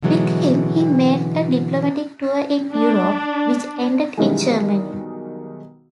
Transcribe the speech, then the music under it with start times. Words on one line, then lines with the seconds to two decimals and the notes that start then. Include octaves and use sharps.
With him, he made a diplomatic tour in Europe which ended in Germany.
0.03 B2 D3 E3 F#3 G#3 B3
2.71 D4
4.18 B1 B2 D#3 E3 G3 G#3